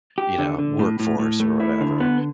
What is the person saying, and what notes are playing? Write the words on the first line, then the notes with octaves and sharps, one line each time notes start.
you know, workforce or whatever?
G4
D3
D3
A2
A2
A2
A3
E4
D3
B3